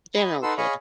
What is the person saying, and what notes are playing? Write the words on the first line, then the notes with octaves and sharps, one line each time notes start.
They don't care.
D#5 B5
D#4 A4 B4 F#5 C6 E6
G#4 C#5 D#5 F5 B5 C#6